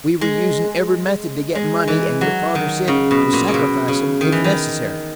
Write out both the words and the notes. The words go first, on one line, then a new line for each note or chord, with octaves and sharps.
"We were using every method to get money, and your father said to sacrifice them, if necessary."
G#3
G#3
E3
F#3
D#3
C#3
B2
A#2
C#3
B2
C#3
D#3
E3
D#3